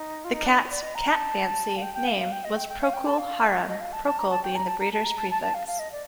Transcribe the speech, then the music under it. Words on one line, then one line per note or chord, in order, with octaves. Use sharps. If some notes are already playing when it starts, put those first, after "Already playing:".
The cat's "Cat Fancy" name was Procul Harun, Procul being the breeder's prefix.
Already playing: D#4
F4
D#4
D4
D#4
C5
D5
D#5
A#5
A5
F5
G5
G5
F5
F5
G5
D#5
G5
G5
F5
G5
A5
F5
D#5
F5
A5
A5
A#5
A5
G5
A#5
A5
A#5
A5
A#5
A5
A5
A5
F5
F5
D#5
D5